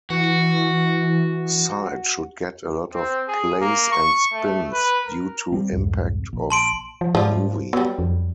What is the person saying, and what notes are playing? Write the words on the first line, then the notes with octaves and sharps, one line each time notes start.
Side should get a lot of plays and spins due to impact of movie.
E3 F#4
C4
G#4
A#3
C#6
A3
B4
A#4
G3 C4
C2 F2 G#2
A#1
A5 C6 D7
F3
G#2 F3 G3
F#3 G3 B3
F2